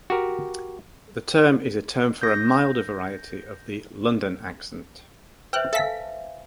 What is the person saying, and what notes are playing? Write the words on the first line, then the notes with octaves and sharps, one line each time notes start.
The term is a term for a milder variety of the "London Accent".
F#4 G4 A#4
G6 A#6
B4 C5 E5 G5 F#6
A4 E5 F5 G#5 B6